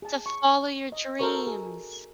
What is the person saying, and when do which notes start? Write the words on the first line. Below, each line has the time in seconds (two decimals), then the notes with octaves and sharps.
To follow your dreams.
0.02 G#4 A5
0.26 C#6
0.92 D#5
1.19 F#4 A4 A#4 C5 C#6
1.47 G#4